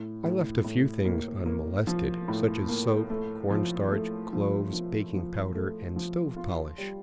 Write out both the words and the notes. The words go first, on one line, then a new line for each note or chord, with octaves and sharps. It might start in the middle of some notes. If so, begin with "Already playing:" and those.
I left a few things unmolested; such as soap, cornstarch, cloves, baking-powder and stove-polish.
Already playing: A2
A2
A2
A#3
A#3
F3
A2
A#3
A3
F3
A3
F3
F3
F3
A3
F3
F4
G3